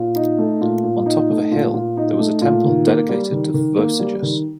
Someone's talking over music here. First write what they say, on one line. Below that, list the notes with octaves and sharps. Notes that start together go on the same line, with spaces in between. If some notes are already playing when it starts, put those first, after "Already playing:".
On top of a hill there was a temple dedicated to Vosegus.
Already playing: A#2
D#4
A3
A#2
A#2
D#4
A3
A#2
A#2
D#4
A3
A#2
D#3
A#3
G3
D#3
D#3
A#3
G3
D#3